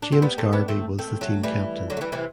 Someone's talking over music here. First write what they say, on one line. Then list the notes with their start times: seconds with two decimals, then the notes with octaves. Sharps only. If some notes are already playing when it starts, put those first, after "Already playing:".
James Garvey was the team captain.
0.02 D4
0.12 C4
0.22 G3 B3
0.38 A3 C4
0.53 B3 D4
0.68 A3 C4
0.99 A3 C4
1.21 F#3 A3
1.43 E3 G3
1.90 D3 F#3
1.97 A3
2.01 E3 G3
2.12 C3 E3